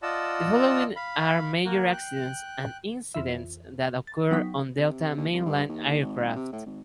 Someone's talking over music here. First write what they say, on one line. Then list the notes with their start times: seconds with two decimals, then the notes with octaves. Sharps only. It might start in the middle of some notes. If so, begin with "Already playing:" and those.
The following are major accidents and incidents that occurred on Delta mainline aircraft.
0.02 F4 D5 D#5 F#5 A5 E6
0.96 F5 B5
1.65 A#3 F#4
1.92 G5 F#6
3.15 F2 E3 E5
4.07 A6
4.31 F#3 B3 D#4 G5 B6
4.78 C3
5.17 D#2
5.33 C2
5.46 G2
5.69 D#2
6.01 G#1
6.36 C3
6.53 A2
6.66 G#1